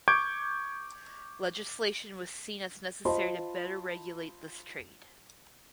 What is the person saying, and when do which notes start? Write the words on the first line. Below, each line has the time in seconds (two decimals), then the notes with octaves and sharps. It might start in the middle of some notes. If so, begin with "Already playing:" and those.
Legislation was seen as necessary to better regulate this trade.
0.08 C#6 D6 G6 G#6 D7
3.05 F4 C5 D#5 A5 B5 C6